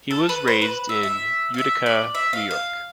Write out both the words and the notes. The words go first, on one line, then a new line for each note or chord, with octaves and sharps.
He was raised in Utica, New York.
A4
B4
C5
B4
E5
E5
F5
E5
D5
E5
F5
F5